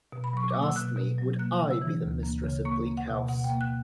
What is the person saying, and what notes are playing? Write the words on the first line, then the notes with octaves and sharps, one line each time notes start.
It asked me, would I be the mistress of Bleak House.
B2
B5
F#3 C#6
A#3 D6
E6
B2 F#6
B2
F#3
A#3 F#6
C#3
E6
E3
D2
A#3
C#3
A#3 C#6
A#3
F#5
B2
B2 F#5
G5
A#3
F#6